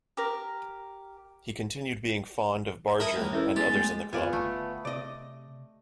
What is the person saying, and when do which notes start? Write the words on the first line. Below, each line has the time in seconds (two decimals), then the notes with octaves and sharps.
He continued being fond of Barger and others in the club.
0.17 G4 A#4
3.00 E4 A#4 D#5 E5 A5
3.16 D#2 G3 A3
3.33 C#4 E4 A4 B4
3.56 G#3 B3 G4 G#4 A6
3.76 A3
4.13 F2 B3 F4 D5 G#5
4.33 G1 A3
4.85 C3 D5 D#5